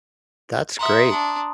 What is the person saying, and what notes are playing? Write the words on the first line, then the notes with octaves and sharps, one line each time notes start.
That's great.
E5 F#5 A#5 C6 D#6
D4